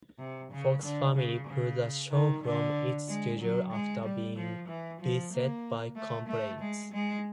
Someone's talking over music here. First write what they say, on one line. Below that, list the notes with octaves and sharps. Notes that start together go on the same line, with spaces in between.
Fox Family pulled the show from its schedule after being beset by complaints.
C3
C#3
D3
C#3
C#3
D#3
D3
G#3
F#3
G#3
G3
F3
E3
F3
A#3
A3
A3
G#3
G#3